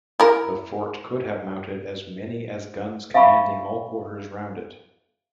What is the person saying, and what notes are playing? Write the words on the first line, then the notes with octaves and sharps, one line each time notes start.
The fort could have mounted as many as guns commanding all quarters round it.
E4 A#4
E5 F5 G#5 B5 C#6